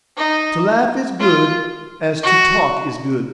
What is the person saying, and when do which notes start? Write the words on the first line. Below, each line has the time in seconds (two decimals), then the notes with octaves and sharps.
To laugh is good, as to talk is good.
0.17 D#4
1.20 F4
2.23 F#4